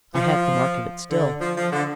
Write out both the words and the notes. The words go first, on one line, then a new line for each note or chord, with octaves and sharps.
I have the mark of it still.
F3
D3
F3
F3
D3